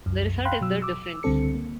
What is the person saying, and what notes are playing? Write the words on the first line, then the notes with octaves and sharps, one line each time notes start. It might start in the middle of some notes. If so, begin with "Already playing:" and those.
The result is the "difference".
C2 F#2
F5 G5 B5 C6 F#6
B2 F#3 E6
D6 E6
C#2 D3 G3 C4 A4 C#7
A#3